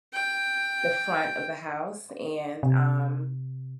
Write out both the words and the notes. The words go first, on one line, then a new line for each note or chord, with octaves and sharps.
the front of the house, and, um,
G5
C3